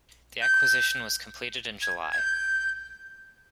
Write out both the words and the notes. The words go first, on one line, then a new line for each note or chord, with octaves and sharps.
The acquisition was completed in July.
G6
G#6
G#6
G6